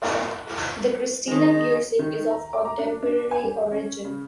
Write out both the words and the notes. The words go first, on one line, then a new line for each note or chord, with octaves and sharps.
The Christina piercing is of contemporary origin.
D#3 G#3
D#4
D#3
A#5
D6
A#5
D4
D4
G#5
G3
C#4
C#3